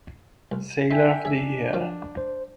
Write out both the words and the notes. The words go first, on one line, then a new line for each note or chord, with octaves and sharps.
Sailor of the Year.
C2
D#4 E5 G5 G#5 B6
D4 G#4 E5
F#2 F3
C5